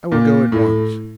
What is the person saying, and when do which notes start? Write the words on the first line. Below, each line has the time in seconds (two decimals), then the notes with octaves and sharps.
I will go at once.
0.12 A#2
0.52 A2